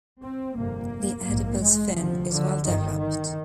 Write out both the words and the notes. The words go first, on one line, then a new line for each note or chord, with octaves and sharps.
The adipose fin is well developed.
C4
G1 F2 C3 A#3
A#1 G#2
G#3
D2 C3 F3
D3
G1 G2 D#3
D#3